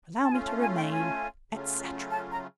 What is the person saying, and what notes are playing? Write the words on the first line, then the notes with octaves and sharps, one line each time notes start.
Allow me to remain, etc.
A5
A3 C#4 F4 G#5
A5
G#5
G5
G#5
C#3 F#3 A3 C#4 F4
A5
A#5